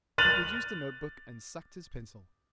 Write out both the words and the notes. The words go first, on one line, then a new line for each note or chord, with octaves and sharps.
He produced a notebook and sucked his pencil.
F6 F#6 A6 D#7 F7 F#7